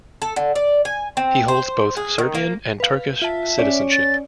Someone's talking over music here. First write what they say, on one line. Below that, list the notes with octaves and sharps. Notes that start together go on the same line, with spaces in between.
He holds both Serbian and Turkish citizenship.
A4
D3
D5
G#5
C4
C5
G#4
D#3
A#3
B4 F5
F4 E5 A5
C#4 C#5 D5
A6